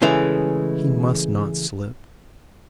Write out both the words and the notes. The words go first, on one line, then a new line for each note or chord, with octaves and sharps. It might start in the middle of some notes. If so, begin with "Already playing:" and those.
He must not slip.
C#3 E3 G#3 A3 C#4